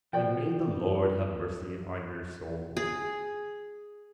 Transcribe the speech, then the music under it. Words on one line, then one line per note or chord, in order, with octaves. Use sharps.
And may the Lord have mercy on your soul.
F3 F#4 D5 G5
G#4